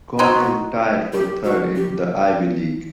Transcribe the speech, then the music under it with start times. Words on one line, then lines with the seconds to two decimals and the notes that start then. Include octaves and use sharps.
Cornell tied for third in the Ivy League.
0.18 F#3 C4 D#4 F#4
1.13 G4
1.45 F#4
1.76 G4